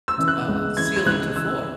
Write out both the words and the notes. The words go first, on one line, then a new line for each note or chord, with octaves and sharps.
uh, ceiling to floor.
E6
C#3 E3
F#6
C#2
C#3 E3 G#6
G#6
C#2 F#6
C#3 E3 E6